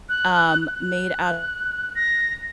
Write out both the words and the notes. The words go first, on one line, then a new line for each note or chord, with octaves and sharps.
Um, made out
F#6
F#6
A#6